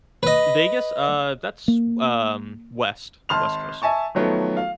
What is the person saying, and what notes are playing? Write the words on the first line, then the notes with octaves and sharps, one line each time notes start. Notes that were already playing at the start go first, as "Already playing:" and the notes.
Vegas? Uh. That's, um, West, West Coast.
B4 D#5
A#3
G#1 A5 C6 F6 F7
E5 G#5 A5 C#6
D#3 F3 F#3 A3 B3
F5